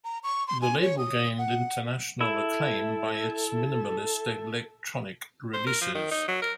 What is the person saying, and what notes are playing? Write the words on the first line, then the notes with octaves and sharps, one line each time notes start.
The label gained international acclaim by its minimalist electronic releases.
A#5
C#6
C6
G#5
C#5
D#6
F#5
E4 A4 E5
C5
A#4
F3
D#3
D#4
F#3
A#4